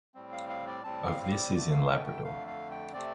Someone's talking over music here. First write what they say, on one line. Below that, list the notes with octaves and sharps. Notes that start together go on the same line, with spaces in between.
Of this is in Labrador.
A2 G3 C4
F5
F5
D5
A2 G3 C4 A5
F5
F5
D5
F2 D3 A3 D5
F5
G5
G5
F2 D3 A3 F5
F5
G5
C3 A3 C4 D5